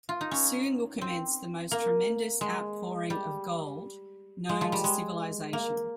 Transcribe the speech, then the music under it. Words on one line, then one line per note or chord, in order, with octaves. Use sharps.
Soon will commence the most tremendous outpouring of gold known to civilization.
F4
D#4
C#4
C4
A#3
G#3
G3
G#3
F3
G3
G#3
A#3